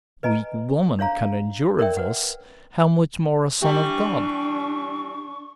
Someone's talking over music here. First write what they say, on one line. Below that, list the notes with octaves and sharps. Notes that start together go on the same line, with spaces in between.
If weak woman can endure thus, how much more a Son of God?
B4 D#5 G#5 A#5
D4 C#5 F5 A#5
A#4 C#5 D5 E5 G5
B4 F#5
E3 G3 D4 G4 C#6